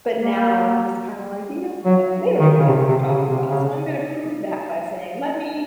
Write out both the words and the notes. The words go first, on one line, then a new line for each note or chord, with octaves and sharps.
but now I'm just kinda like, "You know what, they don't even know what they're talking about." So I'm gonna prove that by saying, "Let me"
A#3
F#3
D#3
C#3
C3
C3
C#3
C3
C#3